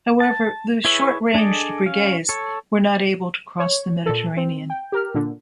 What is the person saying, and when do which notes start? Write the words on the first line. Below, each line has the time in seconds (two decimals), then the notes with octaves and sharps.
However, the short-ranged Breguets were not able to cross the Mediterranean.
0.20 A5
0.85 E4 G#4 B4 C#5 E5
1.34 D4 G#4 A4 D5 D#5
1.86 C#4 F5
2.29 A4 C#5
3.60 C#5
4.06 A#2 A4
4.37 C4
4.70 G5
4.92 G4 A#4 F6
5.14 A#2 D3